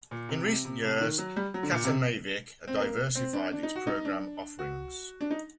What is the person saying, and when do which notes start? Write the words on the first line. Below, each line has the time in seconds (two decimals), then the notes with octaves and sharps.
In recent years, Katimavik diversified its program offerings.
0.11 A#2
0.29 C3
0.46 C3
0.65 C3
0.83 C3
1.01 D#3
1.18 F#3
1.36 G3
1.54 F#3
1.63 D3
1.71 A#2
1.84 C3
2.68 C4
2.80 A#3
3.15 C4
3.33 D4
3.52 D4
3.63 D#4
3.75 F#4
3.87 D#4
4.05 D4
4.59 F#4
5.21 D4
5.31 D#4